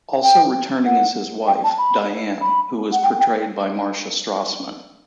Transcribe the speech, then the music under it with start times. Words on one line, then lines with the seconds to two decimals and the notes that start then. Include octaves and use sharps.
Also returning is his wife, Diane, who is portrayed by Marcia Strassman.
0.23 G5
0.85 F#5
1.47 G5
1.64 A5
1.78 B5
2.41 B5
2.92 F#5
3.04 G5
3.19 G5